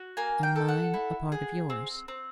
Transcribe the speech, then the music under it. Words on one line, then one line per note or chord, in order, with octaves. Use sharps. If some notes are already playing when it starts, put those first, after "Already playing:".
"And mine a part of yours?"
Already playing: F#4
A#3 G#5
G5
A4
F#5
E4
G#4
C4
C4